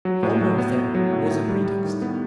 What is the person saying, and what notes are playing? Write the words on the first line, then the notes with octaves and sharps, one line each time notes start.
Homo, then, was a pretext.
F#3
A2
F#3
B3
B3
F#3
A2
A2
G3
G3
D#3
B3